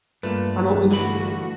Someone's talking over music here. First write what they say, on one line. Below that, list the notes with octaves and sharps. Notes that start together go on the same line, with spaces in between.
I'm almost
G2 A3 A#3 F4 B4
D3 E3 A3 F#4 B5